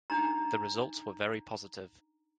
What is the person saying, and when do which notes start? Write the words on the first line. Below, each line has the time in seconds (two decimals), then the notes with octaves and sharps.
The results were very positive.
0.10 D4 D#4 A#5